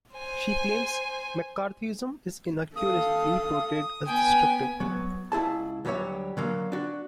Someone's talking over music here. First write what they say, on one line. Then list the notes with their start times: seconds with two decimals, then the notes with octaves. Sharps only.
She claims McCarthyism is inaccurately portrayed as destructive.
0.15 C5 G#5
2.76 A4 F5 D#6
4.06 B3 G5 G#5
4.80 F#3 B3
5.32 C#2 E4 G#4 A5
5.85 D2 F#3 G3 C#4 C#5 E5
6.37 D3 F#3 A#3
6.72 D4 F#4